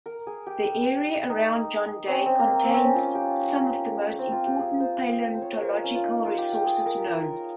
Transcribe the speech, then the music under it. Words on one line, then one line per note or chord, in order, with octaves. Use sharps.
The area around John Day contains some of the most important paleontological resources known.
A#4
G#4
G4
D#4
C4 C#4
C4
A#3
C4
C#4
C4
C#4
F4
G4
C4
F4
G4
G#4
C5
C5
C#5
C#5
A#4 C5
F4
C#4
F4
D#4
F4
G4
G4
G#4
A#4
A#4